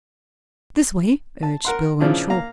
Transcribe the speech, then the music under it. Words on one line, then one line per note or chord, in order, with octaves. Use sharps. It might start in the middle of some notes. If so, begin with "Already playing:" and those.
"This way," urged Bill Renshaw.
A5
A#4 F#5 C6
A#2 C#3 F3 D4 E4 F4
A#3 F5 A#5